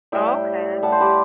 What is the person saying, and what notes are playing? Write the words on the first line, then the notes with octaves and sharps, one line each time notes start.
Oh, okay.
A2 G3 E5 G5
A2 G3 F#5 A5
C5
G4 B4